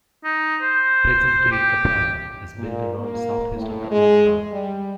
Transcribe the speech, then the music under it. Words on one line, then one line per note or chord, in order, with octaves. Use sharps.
Present-day Kapan is built around southeast of the old town.
D#4
C5
G4
A#2
A#3
A2
G#3
G3